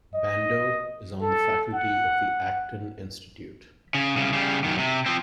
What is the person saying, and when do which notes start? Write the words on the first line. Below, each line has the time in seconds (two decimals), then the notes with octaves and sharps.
Bandow is on the faculty of the Acton Institute.
0.14 D#5
1.21 A4
1.74 F#5
3.95 C#3
4.16 C2 C#3
4.33 C#3 G3
4.64 F#2 D#3
4.78 C3
5.06 F3 C4